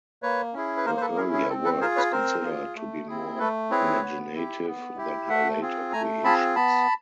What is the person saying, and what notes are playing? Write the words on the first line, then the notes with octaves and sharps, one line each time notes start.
Her earlier work is considered to be more imaginative than her later creations.
A#3 B4 C#5
C#4 E4 G#4
B4
A#3 A#4 C5
C5
A4 B4
C#4 E4 G#4 A#4
G#4
C4 A4
A4 B4
F4 G#4 A#4 C5
B4 C#5
C4 A#4 C5
F4 G#4
A3
C4 E4 G#4
A3 A4 B4
C4 E4 G#4 B4 C#5
B3
E4 G4
B3
E4 G4
A3 E5 F#5
C4 F4 G#4
A3 G#5 A#5
C4 F4 G#4 A5 B5
B3 A5 B5